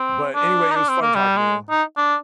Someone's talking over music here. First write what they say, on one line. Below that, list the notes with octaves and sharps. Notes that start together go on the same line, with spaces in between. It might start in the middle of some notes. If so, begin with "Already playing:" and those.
But anyway, it was fun talking to you.
Already playing: C4
D4
D#4
D4
C4
A#3
G3
G#3
D#4
D4